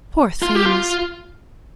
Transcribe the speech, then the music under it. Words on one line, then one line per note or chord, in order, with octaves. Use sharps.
"Poor things!"
F4
G4
F4